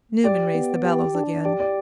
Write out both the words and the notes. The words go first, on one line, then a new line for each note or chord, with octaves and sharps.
Newman raised the bellows again.
G4 D5
B3
G4
D4
G4 D5
D5